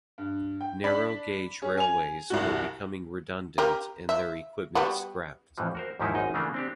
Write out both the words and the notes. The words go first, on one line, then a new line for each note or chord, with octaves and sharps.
Narrow-gauge railways were becoming redundant and their equipment scrapped.
G2
G5
D4 B5 B6 F#7
C#4 G#4
G#5 F7
C2 G2 F#4
G4 A#4
E5
G3 B3 F#4
F2 A2 E3 F3
F#4 A#4 C5
D#2 G#2 D#3 F3 D#4 E4
G#1 F#2 D#4 D#5
C#3 E3 A3 A#3 D4
C4 D4 G4